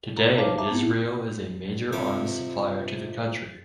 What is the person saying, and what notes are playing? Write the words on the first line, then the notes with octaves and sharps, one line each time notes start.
Today, Israel is a major arms supplier to the country.
A#5
D#4 C5 C#5 F5 A5 D6
E5 A5 A#5 D6
B3 C4 E4
F2 C3 D6